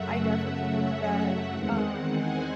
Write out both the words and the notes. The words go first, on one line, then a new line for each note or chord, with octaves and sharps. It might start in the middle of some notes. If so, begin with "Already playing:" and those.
I, definitely, think that, um,
Already playing: F#2 C#3 F#3 A3 E5 F#5
E5
E5
E2 D#3 G#3 C4 F#5
G#5